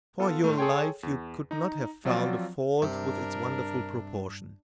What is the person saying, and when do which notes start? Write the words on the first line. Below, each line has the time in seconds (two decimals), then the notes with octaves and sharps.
For your life you could not have found a fault with its wonderful proportion.
0.19 B3 F4 A4
0.44 A2 A3
0.57 G#4 A4 C#5 G5 C6
1.03 E2
1.51 D#4 A#5
2.05 F3 F#3 C4 F4 F#4 D5
2.82 G2 C3 D4 A#4